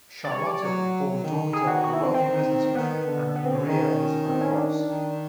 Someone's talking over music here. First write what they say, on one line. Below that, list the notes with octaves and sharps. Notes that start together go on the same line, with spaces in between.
Charlotta was born daughter of the wealthy businessman and Maria Elisabeth Ross.
D5
G3 C#5
D5
F#3 C#5
D#3
G#4
F#4
F#4
E4
C4
D#3 C4
D#3 B3
D3
B3
C4
C#4
D#3
C4
C#4
D4
D#3